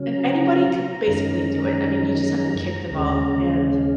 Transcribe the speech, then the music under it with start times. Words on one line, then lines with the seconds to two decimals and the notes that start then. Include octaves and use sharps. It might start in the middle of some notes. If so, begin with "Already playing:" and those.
and anybody could basically do it. I mean, you just have to kick the ball, and,
Already playing: C#3 F#3 C#4
0.12 A#5
1.05 F#2 D#3 G#3 C#4
2.91 D#2 C#3 G#3 C#4